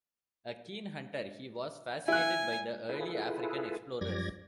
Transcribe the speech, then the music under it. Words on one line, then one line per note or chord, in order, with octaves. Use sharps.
A keen hunter, he was fascinated by the early African explorers.
E4 G#5 F#6
E4 F4 G#4 A4 B4
F#2 F3 G3 D5 G#6 A#6